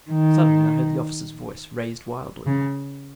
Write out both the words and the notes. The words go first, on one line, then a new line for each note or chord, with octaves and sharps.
Suddenly I heard the officer's voice raised wildly.
D#3
C#3